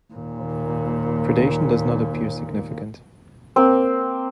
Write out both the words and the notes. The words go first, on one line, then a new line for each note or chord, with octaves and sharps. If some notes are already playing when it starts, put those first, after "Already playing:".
Predation does not appear significant.
D#2 A#2
A#3 C4